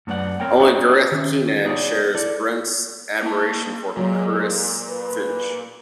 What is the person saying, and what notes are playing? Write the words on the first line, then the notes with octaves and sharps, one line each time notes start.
Only Gareth Keenan shares Brent's admiration for Chris Finch.
F#2 A3 B4 D5 F#5
C4 A#4 C#5 G5
D4 D#4 F#4 G#4 C5 C#5
D#3 C#4 E5
B3 D#4 G#4 C#5 D5
E4 A4 D5
A#3 A5
A#2 F#3 G#3
B4